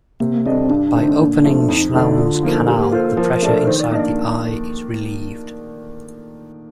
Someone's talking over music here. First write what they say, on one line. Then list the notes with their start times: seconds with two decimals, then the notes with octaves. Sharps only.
By opening Schlemm's canal, the pressure inside the eye is relieved.
0.20 C3 A#3
0.45 G3 C4 D4 A4 D#5
0.70 G2 D4
0.94 D3 A3 C4 D#4
1.19 A#2
1.44 F3 A3
1.68 F2 D#4
1.94 D3 A3 D4
2.18 D3 F4
2.43 F3 A#3 D#4 A4
2.68 A#3 G4
2.92 F4 A4 C5
3.17 F3 A#4
3.42 A3 D4 A4
3.67 D#3 C5
3.79 D5
3.91 A#3 D4 D#5